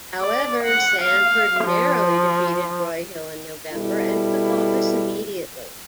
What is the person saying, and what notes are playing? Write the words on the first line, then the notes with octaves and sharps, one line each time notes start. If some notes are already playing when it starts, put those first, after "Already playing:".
However, Sanford narrowly defeated Broyhill in November and took office immediately.
D5
F#5
F5
F3
B2 G3 E4 A4